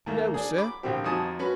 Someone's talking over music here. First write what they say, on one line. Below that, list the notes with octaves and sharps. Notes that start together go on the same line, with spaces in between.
"No, sir."
D#2 A3 A#3
D4 G#4
B5 D6
A#1 D3 C4 G4
F2 D#4 F#4 G#5 A5 D#6
C#4 F#4 B4